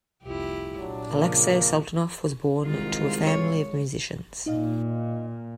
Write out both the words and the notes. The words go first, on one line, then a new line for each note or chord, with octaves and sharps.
Alexei Sultanov was born to a family of musicians.
F1 C2 E4 F4 G4
A#2 F#3 D4
C#3 F3 G#3 A#3
C2 G#2 D#3 G#3 F4
C#5
A#2 D#4 D#5 F5